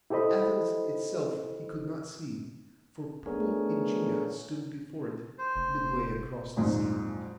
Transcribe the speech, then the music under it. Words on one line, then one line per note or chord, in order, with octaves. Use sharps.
But Athens itself he could not see, for purple AEgina stood before it, midway across the sea.
E4 G4 A4 C5 D#5 B5
A3 B3 D4 G#4 A#4 C#5
C5
F1
A#1 F2 G#2 F#3